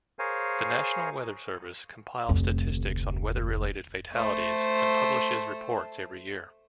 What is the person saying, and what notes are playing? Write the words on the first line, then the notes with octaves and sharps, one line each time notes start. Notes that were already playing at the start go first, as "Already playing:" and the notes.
The National Weather Service compiles statistics on weather-related fatalities and publishes reports every year.
G#4 A#4 C5 C#5 F5 G#5
F1 D2
A3 C5